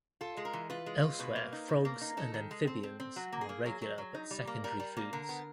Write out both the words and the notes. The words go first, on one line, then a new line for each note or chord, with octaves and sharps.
Elsewhere frogs and amphibians are regular but secondary foods.
F4 A4
G#3
A#4
E3
F4 B4
G#3
F4
B2 B4
A#3
D#4
B2
A#3
D#4
D#4 A4
D#3
G#3
C4
C4
C4
F#3 F#4
A#3
G#4
A#3
F#3
F#3
F#3
D#4
G3
A#3
G3 A#4
G3
A#3
D3 A#4
B3